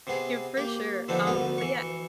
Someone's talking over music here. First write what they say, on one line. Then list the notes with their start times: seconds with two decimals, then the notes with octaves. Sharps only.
Yeah, for sure, um, but, yeah,
0.07 C3 B3 G#4
0.57 A#3 G4
1.08 D3 F3 B3 C4 D4 D#4
1.27 D2 B3 A#4
1.58 E3 C#6